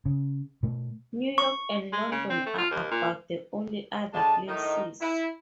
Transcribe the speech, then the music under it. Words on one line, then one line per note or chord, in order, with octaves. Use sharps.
New York and London are about the only other places.
C#3
B2 A3
C#6
G#3
C#3
C4
A3
F4
D#2
A#2
D3 G#3 A5
A2 D#3 D#4
E4